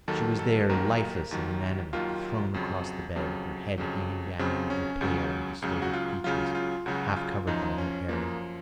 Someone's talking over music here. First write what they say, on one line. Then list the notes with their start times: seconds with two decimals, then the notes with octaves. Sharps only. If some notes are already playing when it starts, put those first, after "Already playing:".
She was there, lifeless and inanimate, thrown across the bed, her head hanging down and her pale and distorted features half covered by her hair.
0.08 D#2 D#3 F#3 A4
0.39 A4
0.69 D#2 D#3 F#3 A#4
1.31 D#2 D#3 F#3
1.93 D#2 D#3 F#3 F4
2.54 F2 C#3 F#3
3.16 F2 C#3 F#3
3.78 F2 C#3 F#3
4.39 F2 C#3 F#3 C4
4.70 C#4
5.01 C#2 C#3 F#3
5.62 C#2 C#3 F#3
5.82 F#4
5.94 F4
6.24 C#2 C#3 F#3 F4
6.55 F4
6.86 C#2 C#3 F#3 F#4
7.16 F4
7.47 F#2 F3 D#4
7.78 C#4
8.09 F#2 F3 A#3